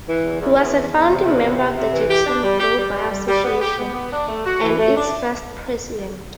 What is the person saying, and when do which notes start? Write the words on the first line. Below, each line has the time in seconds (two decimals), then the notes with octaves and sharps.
He was a founding member of the Jacksonville Bar Association and its first president.
0.07 E3
0.23 E2
0.40 E2
0.57 E2
0.73 E2
0.91 E2
1.08 C3
1.25 E2
1.41 C3
1.58 C3
1.75 C3
1.92 E3
2.09 G4
2.25 D4
2.42 G3
2.59 G4
2.76 G3
2.92 G3
3.09 G3
3.27 G3
3.43 B3
3.60 G4
3.77 B3
3.93 B3
4.11 D4
4.27 A3
4.44 F#4
4.61 E3
4.78 A3
4.95 D4